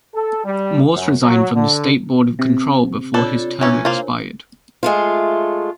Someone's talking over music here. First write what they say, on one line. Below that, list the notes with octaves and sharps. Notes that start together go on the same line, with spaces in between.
Morse resigned from the State Board of Control before his term expired.
A4
G3
F#2
F#3
D3
C3
D4 F4 A4 C#5 D5
E3 C#4 D4 E4 C#5
A#3 F4 A#4 C5
G#3 A3 F4